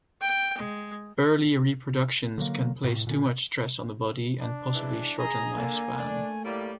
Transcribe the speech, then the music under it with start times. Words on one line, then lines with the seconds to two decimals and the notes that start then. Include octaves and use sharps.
Early reproduction can place too much stress on the body and possibly shorten lifespans.
0.21 G5
0.58 G#3
2.38 D3 F#3 A#3
2.84 A2
3.07 A#2 D3 C#4
4.42 D4
4.74 G#2 E3
5.19 G#4 D#5 G#5 A#5
5.57 D3 A#3
5.99 A3 D4
6.45 A2 G3 A#3